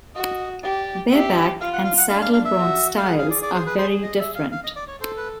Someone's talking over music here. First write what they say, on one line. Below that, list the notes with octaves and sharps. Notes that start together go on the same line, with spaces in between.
Bareback and Saddle bronc styles are very different.
F#4 D#5
G4 D5
G4 E5
F4 F5
F#5
F5
F#5
D4 F5
F5
F5
E5
F#4
F5
G#4 F#5
F5
D5
D5
C5
B4
C5
D#5
E5
F5
F5
D#5
D5
C#5
A4 C5
B4